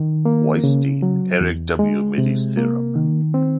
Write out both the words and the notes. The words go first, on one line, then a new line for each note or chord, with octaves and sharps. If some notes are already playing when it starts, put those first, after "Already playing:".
Weisstein, Eric W. Midy's Theorem.
Already playing: D#3
A#3
C#3
F#3
E2
G#3
C3
A#3
D#3
C4